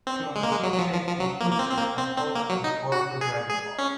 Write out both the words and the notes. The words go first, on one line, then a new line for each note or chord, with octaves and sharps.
Shunsuke Kikuchi composed the score for "Dragon Ball".
C4
G#3
A#3
G#3
F#3
F#3
F3
F3
F3
F#3
A#3
A#3
C4
C4
A#3
C4
C4
A#3
F#3
D#4
F#4
G#4
G#4
C#4